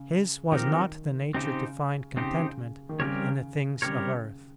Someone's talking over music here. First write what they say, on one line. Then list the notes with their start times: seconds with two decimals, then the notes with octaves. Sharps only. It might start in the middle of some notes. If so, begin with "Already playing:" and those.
His was not the nature to find contentment in the things of earth.
Already playing: C#3
0.52 D#3 F3 C4 D#4 G4 A#4
1.35 C#3 C4 D#4 G4 C5
2.17 C#3 C4 D#4 G4 C5
2.89 D#3
2.99 C#3 G3 C4 G4 A#4 C#5
3.82 C#3 G3 C4 G4 A#4 C#5